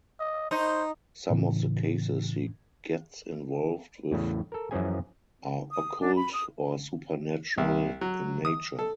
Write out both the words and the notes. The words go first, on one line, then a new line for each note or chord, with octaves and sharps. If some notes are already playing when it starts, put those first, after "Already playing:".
Some of the cases he gets involved with are occult or supernatural in nature.
D#5
D#4 C5
A2 C#3 E3
E2 A2 C#3
A4 A#4
F#2 E3 F3 C#4 G#4 G#5
D#6
D4
B5
D#6
C2
F#3
D#6
A4